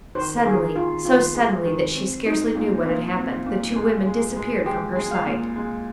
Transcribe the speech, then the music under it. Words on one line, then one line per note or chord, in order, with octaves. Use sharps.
Suddenly, so suddenly that she scarcely knew what had happened, the two women disappeared from her sight.
D#3 C5
A#4
D#3 G#4
D#3 F4
D#3 F4
G#3
D#3
C4
D#4
A#2
A#2
C4
A#2
G#3
G#3
G#3
G#3 G4
G#3
F5
A#2
G#3